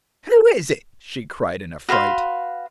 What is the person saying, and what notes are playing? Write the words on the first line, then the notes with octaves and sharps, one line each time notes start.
"Who is it?" she cried in affright.
F#4 B4 F5 C6